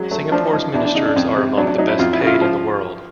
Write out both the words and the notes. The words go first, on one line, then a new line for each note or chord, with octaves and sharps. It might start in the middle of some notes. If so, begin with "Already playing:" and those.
Singapore's ministers are among the best paid in the world.
Already playing: F#3 G#3
F#3 A3
F3 D4
F3 D#4
E2 D4
D4
C#3 D#4
D4
F2
C3
F#3 D4
D4
F#3 D#4
E4
F2 F4
E4
C#3
F4
E4
F3 F4